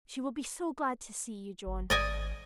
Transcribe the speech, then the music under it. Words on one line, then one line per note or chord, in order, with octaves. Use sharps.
She will be so glad to see you, John!
G1
G#1 D5 D#5 G#5